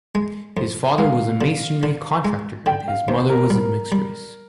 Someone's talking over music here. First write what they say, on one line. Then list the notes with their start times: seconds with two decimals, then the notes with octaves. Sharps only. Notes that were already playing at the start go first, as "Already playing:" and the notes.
His father was a masonry contractor and his mother was of mixed race.
0.15 G#3
0.57 F2
0.98 G#3 F5
1.41 D3
1.83 D3
2.25 G#3
2.66 D3 G5
2.88 F5
3.08 D#2 C5
3.30 A#4
3.50 G3 A#4
3.92 G3